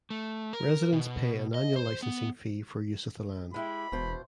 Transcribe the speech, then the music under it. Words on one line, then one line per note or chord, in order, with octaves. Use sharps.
Residents pay an annual licensing fee for use of the land.
A3
A#4
B2
D#5
C5
B3
G#3 E4 G4 B5
E1 B2 C5